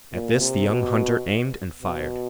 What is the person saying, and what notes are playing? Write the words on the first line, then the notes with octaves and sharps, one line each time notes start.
At this the young hunter aimed and fired.
A#2
C3
B2
B2